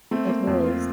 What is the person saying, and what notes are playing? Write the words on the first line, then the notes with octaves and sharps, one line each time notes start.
It is.
A3 C4
A#3
F2
F4